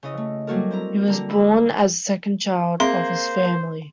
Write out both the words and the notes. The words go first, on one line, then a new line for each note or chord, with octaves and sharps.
He was born as the second child of his family.
C#3 E4 D#5
A3
F#3 G3 A#3 F#4 A4 A#4
C4 E4 A#5
D3 G3 A#5
B5 E6
A#3 C4 G#4 C5 E5 C6